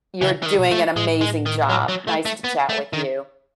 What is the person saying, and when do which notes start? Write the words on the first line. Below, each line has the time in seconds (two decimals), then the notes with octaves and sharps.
You're doing an amazing job, nice to chat with you.
0.22 C#3 E3
0.43 E3
0.46 D#3
0.59 B2
0.71 A3
0.96 A2 G#3
1.21 G#3
1.46 D#3
1.69 F#3
1.89 F#3
2.07 A3
2.26 A3
2.44 B3
2.69 A3
2.93 D#3